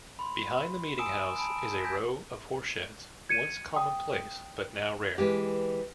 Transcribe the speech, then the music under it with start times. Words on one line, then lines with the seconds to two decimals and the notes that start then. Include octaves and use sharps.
Behind the meetinghouse is a row of horse sheds, once commonplace but now rare.
0.19 B5 C6
0.98 G#5 A#5 D#6 E6 D7 E7
1.39 A5 B5 D7
1.83 G#5 G6 G#6 A#6 B6
3.29 G#6 C#7 D#7
3.74 G5 D#6
5.18 E3 G#3 G4